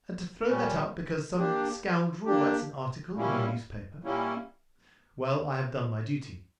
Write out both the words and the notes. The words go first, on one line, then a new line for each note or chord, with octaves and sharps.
And to throw that up because some scoundrel writes an article in a newspaper! Well;--I have done my duty.
A#2 G3 C#4
A#3 D4 G4
A#3 D4 G4
A#2 G3 A#3 C#4 E4
A#2 G3 A#3 C#4 E4